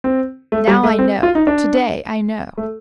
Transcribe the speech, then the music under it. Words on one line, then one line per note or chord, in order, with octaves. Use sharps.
Now I know--to-day I know.
C4
A3
G3
A3
C4
F4
D#4
D4
A3